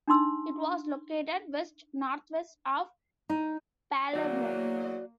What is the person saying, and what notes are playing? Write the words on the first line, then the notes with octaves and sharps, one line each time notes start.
It was located west-northwest of Palermo.
D4 D#4 C6 E6
D#4
E2 E3 F#3 A#3 F#4 D5